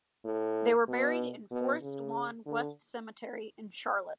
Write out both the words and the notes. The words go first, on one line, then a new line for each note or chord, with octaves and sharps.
They were buried in Forest Lawn West Cemetery in Charlotte.
A2
B2
B2
C#3
D3